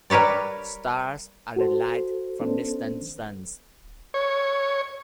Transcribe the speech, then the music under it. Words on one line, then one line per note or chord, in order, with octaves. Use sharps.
Stars are the light from distant suns.
G3 A#4 B4 C#5 D5
F#4 A4 C5
B3 C#4 D4 A4 C5
C#5